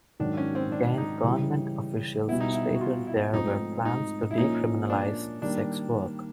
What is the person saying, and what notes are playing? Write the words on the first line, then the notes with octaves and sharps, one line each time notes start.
Again government officials stated there were plans to decriminalise sex work.
G#2 D#3 F#3 D4
C#4
C4
D4
D#4
C#3 E3 G3
B2 G3 B3 E4
D#4
E4
F#4
F4
E4
G#2 F3 A3 C4 D#4
D#4
E4
A#2 F3 A#3 C#4 D#4
D4
D#3 G3 A#3 D4